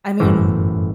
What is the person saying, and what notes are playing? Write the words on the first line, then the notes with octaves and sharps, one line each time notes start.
I mean
G1 F#2 A2 E3 C5